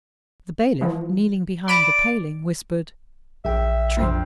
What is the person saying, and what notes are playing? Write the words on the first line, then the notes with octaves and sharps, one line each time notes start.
The bailiff, kneeling behind the paling, whispered, "Trim!"
E3 F3
D5 B5 D7 E7
A#1 E5 G5
F2 C4 F4